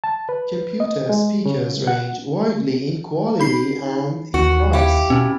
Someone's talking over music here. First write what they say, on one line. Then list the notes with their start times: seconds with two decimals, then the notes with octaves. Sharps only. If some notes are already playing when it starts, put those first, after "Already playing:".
Computer speakers range widely in quality and in price.
0.04 A5
0.29 B4
0.80 D#5
1.09 G#3
1.46 C#3
1.87 F#5
3.40 D#4 B5 C7
4.34 D#2 F#4
4.73 E4 G4 F5
5.10 B2 C4 C#4